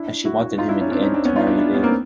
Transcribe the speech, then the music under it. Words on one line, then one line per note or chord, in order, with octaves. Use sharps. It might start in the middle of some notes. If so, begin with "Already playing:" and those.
And she wanted him in the end to marry a lady.
Already playing: D4 E4
E4 F#4
D#4 F4
D4 E4
C#4 D#4
C4 D4
C#4 D#4
C4 D4
B3 C#4
D#4 F4
D4 E4
D4 E4
B3 C#4
A#3 C4